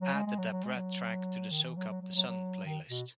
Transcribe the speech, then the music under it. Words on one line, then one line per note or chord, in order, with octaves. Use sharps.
Add the da brat track to the Soak Up The Sun playlist.
F#3
G#3
G#3
F#3
F#3
G#3
F#3
D#3
E3
F#3
F#3
F#3
F#3
F#3
D#3
B2